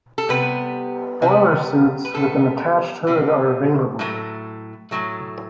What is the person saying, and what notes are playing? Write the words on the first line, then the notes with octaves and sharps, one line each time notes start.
Boilersuits with an attached hood are available.
A4
C3 G3 B3 B4
C3 G3 B3
B4
C3 G3 B3 A4
C3 G3 B3
A2 F#3 A3
A2 F#3 A3